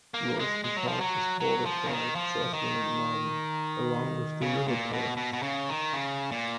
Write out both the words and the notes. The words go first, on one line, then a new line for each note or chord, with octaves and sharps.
Royston Park is bordered by Joslin and Marden, along with the River Torrens.
A#3
G#3
G#3
F#3
F3
F#3
F#3
F3
C#3
D#3
F3
D#3
C#3
A#2
B2
B2
B2
C#3
D#3
C#3
A#2